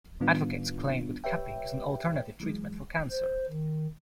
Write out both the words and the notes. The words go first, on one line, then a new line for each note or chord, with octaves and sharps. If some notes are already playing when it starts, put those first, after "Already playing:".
Advocates claim that cupping is an alternative treatment for cancer.
A2 D#3 G3 B3 D4 F4
G4 B4 C#5 E5 G5
E3 F#3 G#3
C5
D#3